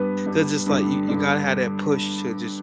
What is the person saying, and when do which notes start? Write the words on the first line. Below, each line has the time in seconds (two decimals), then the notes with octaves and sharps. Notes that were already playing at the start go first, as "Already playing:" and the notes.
'Cause it's, like, you you gotta have that push to just
Already playing: G2 G3 B3 B4
0.26 G2 G3
0.66 G2 D3 G3
1.09 G2 D3 G3